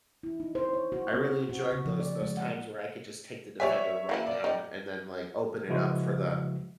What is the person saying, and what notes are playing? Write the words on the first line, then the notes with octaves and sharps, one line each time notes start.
I really enjoyed those those times where I could just take the defender right down and then like open it up for the
E4
D#4
C5
C#5
F#4
C4
F#4
C#3
F3
D5
G#3
F#5
G4 C#5 D5 E5 G#5 B6
E3 A#3 E4
D5
D#4 G4
C#3 F3 G#3 E4 F#4 B4